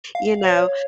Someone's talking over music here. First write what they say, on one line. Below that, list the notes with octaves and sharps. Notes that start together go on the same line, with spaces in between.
You know?
F5
C#5